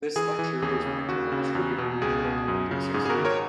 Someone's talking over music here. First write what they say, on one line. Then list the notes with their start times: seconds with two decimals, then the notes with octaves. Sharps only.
This lecture was printed and distributed in the bulletin of the association.
0.16 E3 G#4
0.39 E3
0.62 D#2 G#4
0.85 C#3
1.08 D#2 F#4
1.32 C#3
1.55 E2
1.78 B2
2.02 C#2 G#4
2.25 B2
2.48 F#2
2.71 C#3
2.94 G#2 G#4
3.06 G#4
3.10 F#4 A#4
3.17 D#3
3.25 A#4 C#5